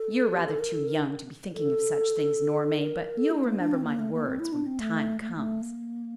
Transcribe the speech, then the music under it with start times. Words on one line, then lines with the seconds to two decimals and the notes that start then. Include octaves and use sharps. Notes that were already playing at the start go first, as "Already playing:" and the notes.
You're rather too young to be thinking of such things, Nora May, but you'll remember my words when the time comes.
Already playing: A4
0.33 G4
0.46 A4
0.59 A#4
0.73 A4
0.87 A#4
1.54 A4
2.77 A#4
3.18 A4
3.31 E4
3.44 A#3
3.58 D4
3.74 C4
3.84 A#3
3.99 A3
4.13 A#3
4.26 C4
4.39 E4
4.53 D4
4.66 C4
4.80 A3
5.21 A3
5.28 A#3
5.35 A3
5.61 A#3